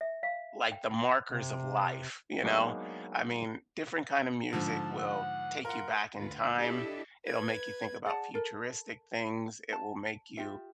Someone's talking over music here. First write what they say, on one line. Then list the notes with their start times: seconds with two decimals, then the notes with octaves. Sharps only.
like the markers of life, you know? I mean, different kind of music will take you back in time, it'll make you think about futuristic things, it will make you,
0.01 E5
0.23 F5
0.72 G5
1.30 C3
2.43 F#3 G#3 A#3 B3 D4 D#4
4.53 G#2 D3 F3 A5
4.99 F#5
5.65 F4 A#4 F#5
6.15 D2 F4 B4
6.57 D4 E4 G4 A4 D#5 E5
7.24 B4 G#6
8.06 G#4 D5 F#5 A5
8.34 A4 A#4
9.73 A5
10.37 F4 G4 E5